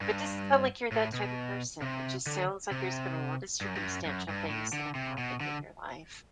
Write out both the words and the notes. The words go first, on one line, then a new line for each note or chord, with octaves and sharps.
but doesn't sound like you're that type of person. It just sounds like there's been a lot of circumstantial things that have happened in your life.
G2
A2
B2
C3
D3
C3
G2
F#2
G2
F#2
F#2
G2
A2
D3
C3
B2
D3